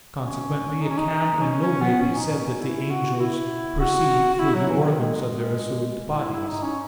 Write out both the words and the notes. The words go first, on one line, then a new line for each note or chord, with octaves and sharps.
Consequently it can in no way be said that the angels perceive through the organs of their assumed bodies.
C#4
D#4
C#4
D#4
C#4
C#4
B3
C#4
D#4
C#4
C#4
E4
F#4
F#4
E4
F#4
F#4
E4
F#3
E3
C#3
D#3
G#3
D#4
E4
E4
D#4
C#4